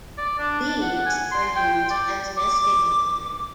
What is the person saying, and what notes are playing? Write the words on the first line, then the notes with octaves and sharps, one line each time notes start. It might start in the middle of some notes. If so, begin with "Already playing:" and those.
Leaves are used as nesting material.
D5
D4
A5
F#5
G#5
C6
G5
D5
D6